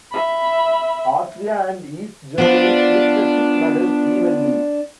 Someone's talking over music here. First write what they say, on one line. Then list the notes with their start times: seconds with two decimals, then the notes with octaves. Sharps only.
Austria and East Germany split the six medals evenly.
0.11 E5 B5
2.38 B3 D4 F4 C5